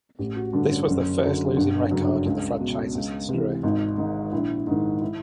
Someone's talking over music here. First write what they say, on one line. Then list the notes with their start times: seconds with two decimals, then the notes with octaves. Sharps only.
This was the first losing record in the franchise's history.
0.19 A1 G4
0.36 F#4
0.53 G2 D3 D4
0.71 C#4
0.88 F#1
1.23 F#2 D3
1.57 G1 D4
1.80 C#4
1.91 F#2 C#3
2.03 D4
2.26 C#2
2.61 B2
2.95 C#2
3.29 C3 E3
3.63 G#1 D#4
3.98 G#2 D#3
4.32 A#1 E4
4.67 G#2 D#3
5.01 E4